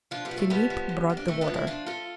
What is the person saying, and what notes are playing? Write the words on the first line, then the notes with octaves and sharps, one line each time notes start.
Philip brought the water.
F3 D4 F4
G3 B3
F3
A3
F3 G3 B3
F3
D3
F2
D4
G2 A3 C4
B3 D4
F3
C4 E4
F3 D4 F4
F3 F4 A4